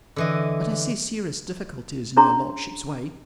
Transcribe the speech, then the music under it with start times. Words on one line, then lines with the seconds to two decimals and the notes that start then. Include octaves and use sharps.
But I see serious difficulties in your lordship's way.
0.16 D3 E3 D#5
2.17 C#4 D4 G#4 C#5 A#5 C6